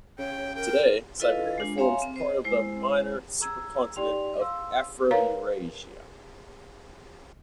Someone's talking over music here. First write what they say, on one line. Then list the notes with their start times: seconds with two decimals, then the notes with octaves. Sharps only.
Today, Siberia forms part of the minor supercontinent of Afro-Eurasia.
0.19 C#3 C#5 G5
0.55 A#4 G5
1.20 E4 F4 A4 B4 D#5 F5
1.58 G#3 D4 F4
1.78 C#5 E5 F5 G#5 A#5 C6
2.02 C4
2.16 C5 D#5
2.44 G#3 E4 C5
3.41 G#4 A#5 E6 G#6
3.96 D#4 G4 D5 G5 C6 F7
4.39 F5 C6 E6
5.11 A#4 B4 C#5 F5 A#5